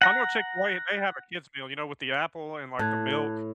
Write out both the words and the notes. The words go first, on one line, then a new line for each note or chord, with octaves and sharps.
I know Chick-fil-A, if they have a kids meal, you know, with the apple, and, like, the milk
F#5 A#5
A2 A5 F#6 G#6